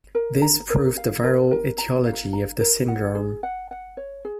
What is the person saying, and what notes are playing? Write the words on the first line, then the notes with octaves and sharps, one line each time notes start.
This proved the viral etiology of the syndrome.
A#4
A#5
A#4
F5
A#4
A#4
A#5
F5
A#5
A#4
F#5
G#4
F#5
F#5
C#5
G#4